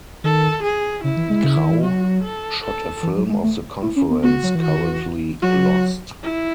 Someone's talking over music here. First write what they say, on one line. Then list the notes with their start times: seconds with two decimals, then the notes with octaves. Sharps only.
Grau shot a film of the conference, currently lost.
0.24 D#3 A4
0.63 G#4
1.04 C#3 E4
1.17 E3
1.30 G#3
1.44 C#3
1.57 D#3
1.70 E3
1.83 F#3 F#4
2.24 A4
2.64 A4
3.03 E3
3.17 F#3
3.30 G#3
3.43 A3
3.82 E4
3.96 C#4
4.10 B3
4.23 B3 F#4
4.43 F#3
4.55 E3
4.62 F#4
4.67 D#3
4.79 E3
5.42 F#3 F#4
6.23 E4